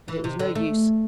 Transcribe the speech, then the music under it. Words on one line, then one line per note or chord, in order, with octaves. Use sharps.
But it was no use.
E3
C3
D3
A3